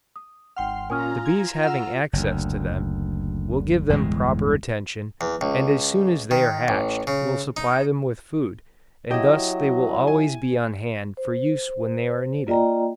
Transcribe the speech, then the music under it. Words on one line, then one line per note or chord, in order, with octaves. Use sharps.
The bees having access to them, will give them proper attention, and as soon as they are hatched, will supply them with food, and thus they will always be on hand for use when they are needed.
D#6
G#1 F#5 G5 C6 F6
A#2 C#4 F4 G#5 A#5 D#6 F6
G#6
F#5 E6 F6
F#1 D2
G1 E2 A2 G#3
E2
C#2
D#3
A1
C#3
D#4
F#3 E4 G4 D#5
G#5
C5
A#3 F4 D5 D#5 G5 A#5